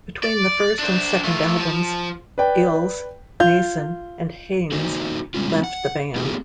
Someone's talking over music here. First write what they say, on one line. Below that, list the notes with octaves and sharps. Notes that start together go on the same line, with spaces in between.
Between the first and second albums, Eels, Mason, and Haynes left the band.
D5
D4 C5
A3 F4
F3
B4 D5 G5
F4 G6
A#3 D#4 F#4 C5 D#5
G3 G#3 B3 C#4 F4
F#5
A3 B3 D#4 F4 G4 G#4